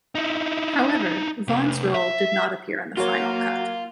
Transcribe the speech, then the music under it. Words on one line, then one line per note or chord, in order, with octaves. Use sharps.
However, Vaughn's role did not appear in the final cut.
D#4 E4
C3 A3
E5
F#3 A#3 F4 F#4 C#5